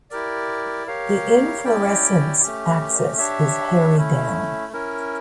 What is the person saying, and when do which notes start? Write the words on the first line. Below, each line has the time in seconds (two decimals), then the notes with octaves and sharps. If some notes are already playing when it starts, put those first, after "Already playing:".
The inflorescence axis is hairy down.
0.10 E4 G4 A#4 D5
0.87 G4 A#4 C#5 F5
1.64 C#4 E4 G4 D5 G5
2.42 A3 C#4 G4
3.18 D4 G4 C#5 E5
3.95 A3 C#4 E4
4.73 C#4 E4 A#4